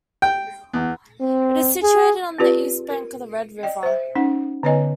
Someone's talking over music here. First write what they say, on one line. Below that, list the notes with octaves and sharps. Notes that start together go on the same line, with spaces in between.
It is situated on the east bank of the Red River.
G5
E2
C4
G#4
C4 F4 G4 B4 D5
A#4
D5 D#5 G5
C5 E5
C#4 D#4 F#5
D3 B3 B4 C#5 D#5 G#5